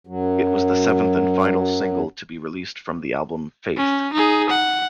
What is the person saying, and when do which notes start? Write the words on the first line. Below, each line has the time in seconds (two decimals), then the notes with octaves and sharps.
It was the seventh and final single to be released from the album "Faith".
0.07 F#2 F#3
3.77 C#4
4.13 D#4 G#4
4.50 F#5